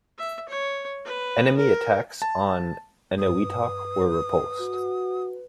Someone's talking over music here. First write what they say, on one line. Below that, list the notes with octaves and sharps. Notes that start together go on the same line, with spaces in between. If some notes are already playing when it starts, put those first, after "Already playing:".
Enemy attacks on Eniwetok were repulsed.
E5
C#5
B4
A#4
A5
G2 B4 D#6
F#4